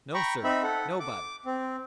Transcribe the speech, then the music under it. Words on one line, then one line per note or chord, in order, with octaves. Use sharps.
"No, sir, nobody."
G5 A#5 B5 C#6
C4 D#4 E5 B5
A4 F#5
D6
C4